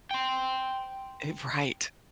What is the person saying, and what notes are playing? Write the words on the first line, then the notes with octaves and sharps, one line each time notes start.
It right.
G5 C6